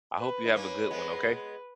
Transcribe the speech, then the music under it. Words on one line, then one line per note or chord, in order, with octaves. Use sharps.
I hope you have a good one, okay?
B4
D#4
A#3 C#4 B4
G#3 B3